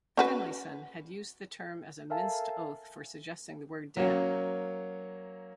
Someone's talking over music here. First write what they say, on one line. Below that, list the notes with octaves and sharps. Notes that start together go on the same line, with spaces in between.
Finlayson had used the term as a minced oath for suggesting the word damn!
C#4 F#4 B4
A4 A#4 E5 F5 G#5 A5
F#3 A#3 C#4